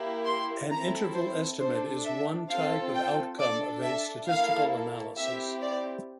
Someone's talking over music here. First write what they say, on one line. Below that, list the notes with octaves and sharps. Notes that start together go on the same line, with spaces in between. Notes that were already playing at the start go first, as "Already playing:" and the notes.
An interval estimate is one type of outcome of a statistical analysis.
Already playing: A#3 E4 G4
C6
C4 E4 A4 A#5
C5
D4 A4 C5
E5
C4 F4 A4 F5
G5
D4 A4 D5
E5
A#3 E4 A4 F5
C4 E4 G4 E5
D5